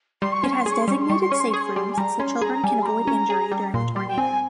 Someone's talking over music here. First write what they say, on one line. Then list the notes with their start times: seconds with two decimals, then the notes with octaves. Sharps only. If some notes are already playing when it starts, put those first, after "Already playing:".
It has designated safe rooms so children can avoid injury during a tornado.
0.22 G3 C6
0.32 C#6
0.42 C#4 C6
0.51 C#6
0.61 C6
0.66 G#4
0.72 C#6
0.81 C6
0.88 G3 C#6
1.01 C6
1.10 G3 C#6
1.21 C6
1.30 C#4 C#6
1.40 C6
1.50 G#4 C#6
1.61 C6
1.76 G3
1.93 G#5
1.97 G3 A#5
2.19 C#4 C6
2.42 G#4 A#5
2.54 A#5
2.64 G3 G#5
2.82 C6
2.85 G3 A#5
3.07 C#4
3.30 G#4
3.52 G3
3.74 A#2 C6
3.96 G3 C6
4.08 G5
4.18 C4 G#5